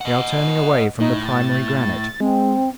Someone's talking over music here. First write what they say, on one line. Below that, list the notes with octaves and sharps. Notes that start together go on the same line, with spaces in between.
We are turning away from the primary granite.
D#5 F#5
A2 D#4
A6
G#3 C4